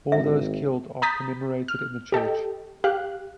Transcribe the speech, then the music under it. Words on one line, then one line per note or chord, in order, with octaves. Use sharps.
All those killed are commemorated in the church.
G#1 E5
A#5 B5 D#6 G6 A6 B6
F6
G4 A4 D#5 G5
G4 F5 F#6